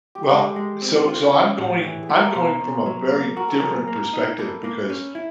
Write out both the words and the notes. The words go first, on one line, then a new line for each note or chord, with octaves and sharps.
Well, so so I'm going I'm going from a very different perspective because,
G4
G#4
G#3 G4 A4
G#3
C4
F4
C#4 B4 C#5
A2
E3
G#4
A3 A4
A#4
B4
B2 A#4 C5
B2
F#3
A#3
F#4 A#4
A4
F#3 G#4 A#4
A#3
D#4
A#3 A4 B4
A#3
C#4
E4